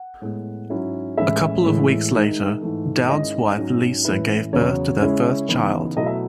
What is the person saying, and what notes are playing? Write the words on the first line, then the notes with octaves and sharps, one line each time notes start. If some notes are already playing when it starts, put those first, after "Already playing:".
A couple of weeks later, Dowd's wife Lisa gave birth to their first child.
Already playing: F#5
A2 G#3 B3
G#2 F#3 C#4 E4
A2 E3 G#3 C#4 E4 E5
A2 E3 G#3
D#3 G#3 D#4
G#2 E3 A3
G#2 D#3 G#3 C#4 E4 D#5
G#2 F#3 C#4
A2 E3 A3 C#4 E4 B4
E2 C#3 F#3 B3 C#5
C#3 G#3 C#4 E4
C#3 E3 B3 D#4
B2 F#3 A3 E4 D#5
E5